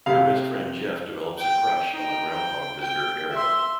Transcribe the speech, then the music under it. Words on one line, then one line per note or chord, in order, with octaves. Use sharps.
Her best friend Jeff develops a crush on the "groundhog" visitor, Ariel.
C3 F5
G5
D#4 G5
G5
G5
E5 C6